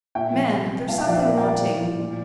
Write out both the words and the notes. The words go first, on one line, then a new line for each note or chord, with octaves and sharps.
'Man, there's something wanting.
A#2 E5 G5
F3
C3
G3
A#2 F5 A5
E5 G5
F3 D5 F5
C5 E5
A#2 A#4 D5
G5
G3 D5 F5
A2
F3
A#2